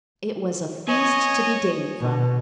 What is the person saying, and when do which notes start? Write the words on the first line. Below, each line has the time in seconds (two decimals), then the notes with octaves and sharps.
It was a feast to be dated from.
0.88 C#5 D#5 G#5
2.01 B2